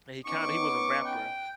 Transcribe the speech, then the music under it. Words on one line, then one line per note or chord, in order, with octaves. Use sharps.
And he kinda he was a rapper,
B3 C#4 D#4 C#6 D6
G5 F#6